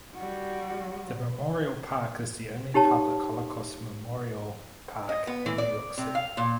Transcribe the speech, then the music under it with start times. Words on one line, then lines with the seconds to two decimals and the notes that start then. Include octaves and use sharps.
The Memorial Park is the only public Holocaust memorial park in New York City.
0.15 G3 F#4
2.74 D#4 G4 C#5 A5
5.09 D#5
5.27 B3
5.46 E3
5.58 D5
5.98 C3
6.15 F5
6.37 A#2